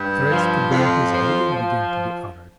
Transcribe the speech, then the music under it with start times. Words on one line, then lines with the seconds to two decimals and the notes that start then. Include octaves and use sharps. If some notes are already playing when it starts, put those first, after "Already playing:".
Threats to burn his building began to be uttered.
Already playing: G2
0.32 F3
0.72 F2 F3
1.11 F3
1.52 F3